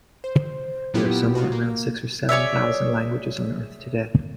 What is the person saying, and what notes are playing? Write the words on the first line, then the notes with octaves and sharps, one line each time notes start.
There are somewhere around six or seven thousand languages on Earth today.
C5
A#2 F#3 B3 E4 F4 G4
F4 F#4
A#3
G#4 C#5 D5 E5